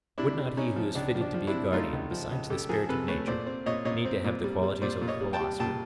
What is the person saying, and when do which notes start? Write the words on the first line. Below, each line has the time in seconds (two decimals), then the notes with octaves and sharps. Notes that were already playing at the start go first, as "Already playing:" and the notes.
Would not he who is fitted to be a guardian, besides the spirited nature, need to have the qualities of a philosopher?
0.18 C3 D4 E4
0.38 C3
0.57 C3 C#4 D#4
0.76 F3
0.95 C#2 D4
1.15 F3
1.21 D4
1.34 F3
1.47 D4 E4
1.54 C3
1.72 A3 D#4 F4
1.93 C#2
2.11 F3
2.31 C#2
2.50 C#2 G4 A4
2.69 F3 G#4 A#4
2.89 C3 A4 B4
3.08 A3 B4 C#5
3.27 A#2 C5 D5
3.46 C4
3.66 A#2 C#5 D#5
3.85 A#2 C#5 D#5
4.05 C4
4.25 A#2
4.44 G3
4.63 G3
4.82 A#2 C5 D5
5.01 A#2
5.08 C#5 D#5
5.21 G3
5.33 G5 A5
5.40 G3
5.59 A#2 G5 A5